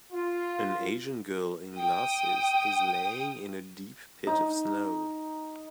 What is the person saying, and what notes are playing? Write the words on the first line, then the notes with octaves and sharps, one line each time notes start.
An Asian girl in glasses is laying in a deep pit of snow.
F4
G5 D#6
D#4